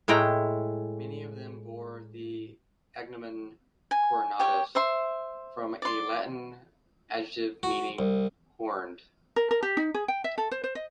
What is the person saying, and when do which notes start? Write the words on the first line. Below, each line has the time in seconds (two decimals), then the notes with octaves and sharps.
Many of them bore the agnomen "Cornutus", from a Latin adjective meaning "horned".
0.08 A2 G#3 E4 G5 A#5
3.91 G#5
4.40 G4 C#5
4.75 C5 E5 C6
5.82 D5 C6
7.63 F#4
7.99 C2
9.36 A#4
9.51 A#4
9.63 G4
9.77 D#4
9.94 G#4
10.08 G5
10.24 E5
10.38 A4
10.51 C5
10.64 C5
10.75 D#5